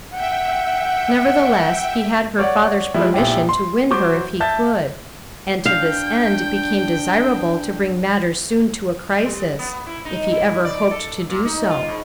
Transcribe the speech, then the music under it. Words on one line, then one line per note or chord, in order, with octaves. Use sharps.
Nevertheless, he had her father's permission to win her if he could; and to this end it became desirable to bring matters soon to a crisis, if he ever hoped to do so.
E5 F#5 G5
C#5 D5 F#5
F3 G3 G#3 E4
A#1 E4 G4
C6
F#3 C5 C#6 D6 G6
E5 A5 G6 A6
D4 F5 G5 G6
G3
B3
E4
D#4
E4
D5
A4
A#2
D#4
F4
G#2